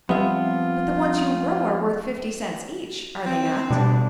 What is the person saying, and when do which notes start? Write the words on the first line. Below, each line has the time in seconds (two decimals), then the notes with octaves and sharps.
"But the ones you grow are worth fifty cents each, are they not?"
0.09 F2 G3 B3 F4 E5
3.27 C4
3.70 B2 G3 B3 D4